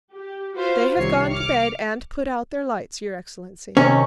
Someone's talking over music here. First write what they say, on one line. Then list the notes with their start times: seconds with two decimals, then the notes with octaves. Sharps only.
"They have gone to bed and put out their lights, your excellency."
0.13 G4
0.56 F4 F#4 B4 C5 F5
0.95 C2 C3 D#3 C#5 C7 C#7
1.31 D6 F6 C#7
3.77 C3 D#3 C#4 C#6